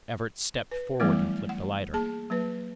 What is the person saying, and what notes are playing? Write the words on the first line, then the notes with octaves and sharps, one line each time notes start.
Everts stepped forward and flipped a lighter.
B4
E3 F#3 G3 A3 B3 E4
F#5
A#3 G#4 A5
F#3 A#3 B4